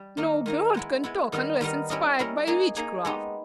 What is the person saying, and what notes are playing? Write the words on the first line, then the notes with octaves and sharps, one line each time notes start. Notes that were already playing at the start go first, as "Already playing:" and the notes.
"No bird can talk unless inspired by witchcraft."
Already playing: G3
D#3 A#3 D#4 A#4
D#3 A#3 D#4 A#4
G#3 B3 E4
G#3 B3 E4
D#3 G3 B3 D#4 A#4
D#3 G3 B3 D#4 A#4
G3 C#4 E4 A#4 D#5
G3 C#4 E4 A#4 D#5
A#3 D#4 G#4
A#3 D#4 G#4
G#3 B3 D#4 G4